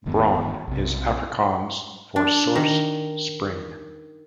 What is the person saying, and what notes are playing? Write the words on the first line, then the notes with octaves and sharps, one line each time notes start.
Bron is Afrikaans for 'source', 'spring'.
E1 G#2 D#3 B3
B1 C3
D4
D#3